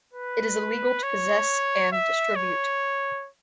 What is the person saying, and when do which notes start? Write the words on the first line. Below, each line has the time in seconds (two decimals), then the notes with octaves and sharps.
It is illegal to possess and distribute.
0.14 B4
1.03 C#5
1.92 E5
2.36 C#5